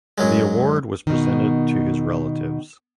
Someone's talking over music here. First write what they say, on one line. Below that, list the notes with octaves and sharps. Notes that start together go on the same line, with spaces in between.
The award was presented to his relatives.
F#2 F#3 G#3
B2 D#3